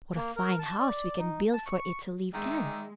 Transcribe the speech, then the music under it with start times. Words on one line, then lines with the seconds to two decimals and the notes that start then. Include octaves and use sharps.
What a fine house we can build for it to live in!
0.15 A#3
0.36 A#4
0.59 A5
0.79 D5
1.18 D#4
1.53 A5
1.66 C#6
1.78 C#6
2.34 D#3 G#3 G#4 D5 E5